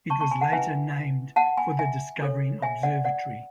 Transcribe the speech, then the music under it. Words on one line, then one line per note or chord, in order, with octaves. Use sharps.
It was later named for the discovering observatory.
A5 C#6
A5 C#6
G#5 B5
F#5 A5
C#4 E4 B4 E5 G#5
F#5 A5
G#5 B5
E5 G#5
D4 A4 C#5
E5 G#5
D5 F#5
D5 F#5